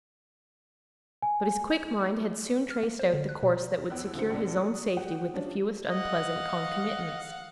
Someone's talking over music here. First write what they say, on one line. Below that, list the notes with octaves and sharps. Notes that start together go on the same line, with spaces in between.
But his quick mind had soon traced out the course that would secure his own safety with the fewest unpleasant concomitants.
G#5
F6
A#3
C5
D3
F#6
B2
E2 E6 F#6
D2 A2 C#3 F#4 C5 C#7
A#1 E2 C#3 A4 D5
D5 D#6
F#4 G4 F#5 G5
G2 G3 C#4 D4 F4
D#5 F5 F#5